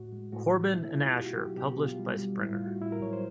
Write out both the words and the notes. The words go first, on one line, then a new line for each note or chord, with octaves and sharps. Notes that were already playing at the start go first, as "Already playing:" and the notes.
Korbin and Asher, published by Springer.
Already playing: A2 F#4
G#3
A2 F#4
E3
B2 E4
E4
A3 F4
G4
B2 F#4
F#4
F#3 G4
B2 G4
F#4
B2
F4
G3
G3
A2 E4
F4
A3
F#4
A2 E4
A#4
F#3 C#5
C5